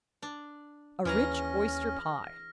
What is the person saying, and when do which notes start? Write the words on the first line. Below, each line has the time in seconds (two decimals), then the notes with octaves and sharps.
A Rich Oyster Pie.
0.22 D4
1.05 D#2 E3 C#4 G#4 A#5 F6 A#6